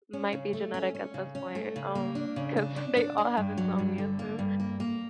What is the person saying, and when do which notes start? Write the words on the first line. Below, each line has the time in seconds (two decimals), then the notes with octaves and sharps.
Might be genetic at this point, um, 'cause they all have insomnia too.
0.13 C#4
0.33 C#3
0.53 A3
0.74 C#4
0.95 C#4
1.14 C#3
1.35 C#4
1.55 A3
1.76 C#3
1.95 A#3
2.15 D4
2.36 C#3
2.57 D4
2.76 D4
2.97 D4
3.18 D4
3.37 G2
3.57 F#3
3.79 G2
3.98 D3
4.19 A#3
4.39 G2
4.60 A#3
4.80 A#3